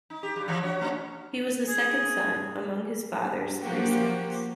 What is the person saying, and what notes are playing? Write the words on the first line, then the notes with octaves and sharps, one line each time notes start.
He was the second son, among his fathers three sons.
D#4
G4
G2 G4
E3 F3
D4 F#4 C#5
A3 A#3 D4
G#4
F3 A#3 F#4 G4